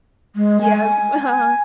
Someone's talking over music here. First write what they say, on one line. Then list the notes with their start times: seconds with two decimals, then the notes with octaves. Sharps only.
Yes. Uh-huh. Sa
0.36 G#3
0.62 G#5
1.10 G#5